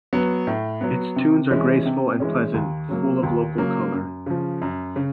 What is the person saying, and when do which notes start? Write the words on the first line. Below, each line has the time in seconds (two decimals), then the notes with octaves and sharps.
Its tunes are graceful and pleasant, full of local color.
0.13 F#3 B3
0.47 A2
0.81 F#3 B3
1.16 C3
1.51 E3 G#3 C#4
1.85 C3
2.20 E3 G#3 C#4
2.54 D#2
2.89 C#3 F#3 A#3
3.23 D#2
3.58 C#3 F#3 A#3
3.92 F#2
4.26 C#3 F3
4.62 F#2
4.96 C#3